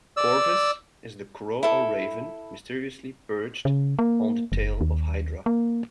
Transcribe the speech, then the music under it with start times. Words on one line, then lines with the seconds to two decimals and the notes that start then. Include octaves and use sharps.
Corvus is the Crow or Raven mysteriously perched on the tail of Hydra.
0.17 D5 E6
1.63 E4 A4
3.65 C#3
3.99 A#3
4.52 F#1
4.81 D#2
5.46 A#3